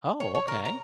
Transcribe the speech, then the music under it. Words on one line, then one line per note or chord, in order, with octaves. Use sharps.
Oh, okay.
C#5
C#5
A#4
A#5